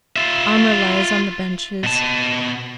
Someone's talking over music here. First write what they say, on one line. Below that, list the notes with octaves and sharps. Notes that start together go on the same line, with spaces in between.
Armor lies on the benches.
F4 E5
B2 A5